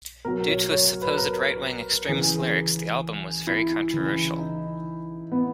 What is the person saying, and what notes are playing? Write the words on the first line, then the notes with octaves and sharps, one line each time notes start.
Due to supposed right-wing extremist lyrics, the album was very controversial.
B2 F#3 A#4
C#5
C#5
C#5
B4
A#4
C#3 E3 G#4
E4
C#3 E3
D#4
B3